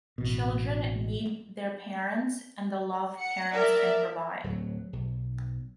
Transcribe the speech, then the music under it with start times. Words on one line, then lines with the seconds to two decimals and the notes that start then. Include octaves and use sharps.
Children need their parents and the love parents can provide.
0.18 A1 B2
3.18 F#5 C#7
3.54 A#4 D5 E5
4.44 D1 F#3
4.93 B1